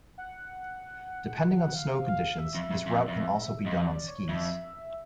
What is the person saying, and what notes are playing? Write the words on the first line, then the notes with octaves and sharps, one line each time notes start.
Depending on snow conditions, this route can also be done on skis.
F#5
F5
F5
E5
F2
F2
F2
F2
F2 D#5
D5
C#5
F2 E5